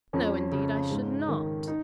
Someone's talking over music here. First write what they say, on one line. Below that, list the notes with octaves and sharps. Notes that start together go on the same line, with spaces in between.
"No, indeed I should not."
F2 C#4
C#3
G#2
D#3
D#4